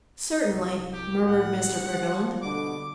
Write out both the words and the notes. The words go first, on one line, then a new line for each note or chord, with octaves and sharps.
"Certainly," murmured Mr. Briggerland.
C2
G4
A2 F#5
G3
F3
B2 D3 D6